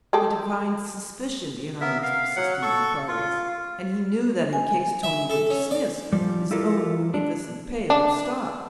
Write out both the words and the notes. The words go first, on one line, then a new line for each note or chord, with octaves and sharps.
He divined suspicion behind these persistent inquiries, and he knew that in case Tony were dismissed, his own munificent pay would stop.
G#3 G4 A4
B3 A#4 E5
F5
F#3 F#5
A4 C#6
F4
G#5
E5
A4
C#4
D5
F3 G3
E4 F4 G4 A4 A#4
D4
D4